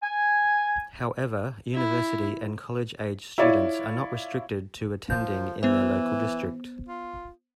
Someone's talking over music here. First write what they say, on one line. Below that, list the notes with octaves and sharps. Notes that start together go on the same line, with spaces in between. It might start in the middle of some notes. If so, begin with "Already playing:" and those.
However, university and college-age students are not restricted to attending in their local district.
G#5
E4
E4 F4 C#5 D5
F3 G6
E3 B3 C5
F4